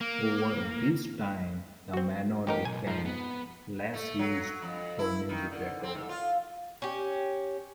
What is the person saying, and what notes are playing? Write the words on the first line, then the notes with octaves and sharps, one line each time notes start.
Over this time the manor became less used for music recording.
A#3
C4 F#4
A1 D#4 G4 A#4
B1 G#5
G#2 F3
B3
A3
F#3
F2
E4
D#3
D3
C4
G#2
F4
C#4 G4